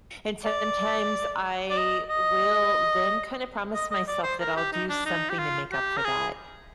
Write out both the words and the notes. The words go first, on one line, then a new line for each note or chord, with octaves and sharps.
and sometimes I will then kinda promise myself that I'll do something to make up for that,
D5
D5
D#5
D#5
D#5
D#5
D5
C5
A#4
G4
D#4
D4
D#4
G4
F4
G4
A#4
G#4